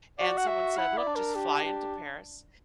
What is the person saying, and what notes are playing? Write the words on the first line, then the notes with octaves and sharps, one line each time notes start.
And someone said, "Look, just fly into Paris,
F#4 D5
F#5
E5
E4 F#5
D5
D4
A#4
G4
G4